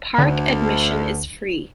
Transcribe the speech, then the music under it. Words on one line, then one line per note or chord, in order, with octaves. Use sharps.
Park admission is free.
D2 D3